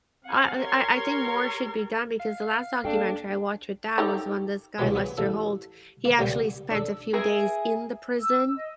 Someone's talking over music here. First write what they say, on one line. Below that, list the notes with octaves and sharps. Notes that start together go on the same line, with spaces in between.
I I I I think more should be done because the last documentary I watched with dad was when this guy Lester Holt, he actually spent a few days in the prison?
C4 F5 F#5 G#5
G4 A#4 C#5 C6 G#6
F5
A#3 D4 A4 G5
D#4 G4 A4
C2 F#3 G#3 G4 B4 D#6
B3 G#4 B4
A1 A4
A#3
C#2 G3 A#3 B3 G5 G#5
D4 A4
G#4 A#4 E5 G#5
E6
D#5